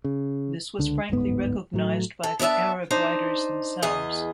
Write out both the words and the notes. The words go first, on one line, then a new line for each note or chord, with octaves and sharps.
This was frankly recognised by the Arab writers themselves.
C#3
C#2 D3
D1 G1 G#2 B3
A2 F#3 A3
A4
B3 D4 D5 E5 A5
D4 D#4 C5
E2 B3 G#4 D#5